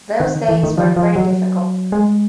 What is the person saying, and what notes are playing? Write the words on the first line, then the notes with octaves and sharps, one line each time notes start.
Those days were very difficult for him.
D#3
E3
D#3
F3
F3
F#3
G#3